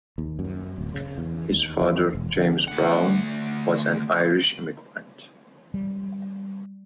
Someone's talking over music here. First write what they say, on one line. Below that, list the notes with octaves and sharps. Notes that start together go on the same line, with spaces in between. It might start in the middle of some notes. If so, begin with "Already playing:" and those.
His father, James Brown, was an Irish immigrant.
D#2
F#2
D1
C#3
E2
D#2
E2
E1
D3
D2 F#5
G3